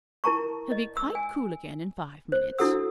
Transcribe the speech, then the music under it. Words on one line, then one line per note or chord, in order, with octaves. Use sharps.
He'll be quite cool again in five minutes.
E4 A#4 A5 A#5 C#6
D#5
E6
G#5
C5
D4 E4 F#4 A4 F#5 E6